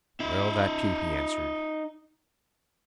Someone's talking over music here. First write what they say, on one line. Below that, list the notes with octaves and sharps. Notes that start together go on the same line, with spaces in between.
Well, that too he answered.
D#4 E5